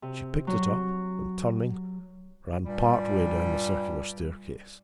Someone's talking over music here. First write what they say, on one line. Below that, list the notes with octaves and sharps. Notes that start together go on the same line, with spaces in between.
She picked it up and turning, ran part way down the circular staircase.
C3
F#3
G2 A#2 G3